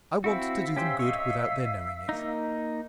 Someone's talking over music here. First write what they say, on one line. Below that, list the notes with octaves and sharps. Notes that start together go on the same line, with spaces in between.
I want to do them good without their knowing it.
C4 E4 F#4 E5 F5 E6
C#4 G4 C5
C#5 D#5
A#3 D#4